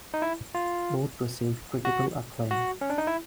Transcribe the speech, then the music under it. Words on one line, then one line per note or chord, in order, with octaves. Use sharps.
Both received critical acclaim.
D#4
E4
F4
F#4
F#4
C#4
D4
D#4
E4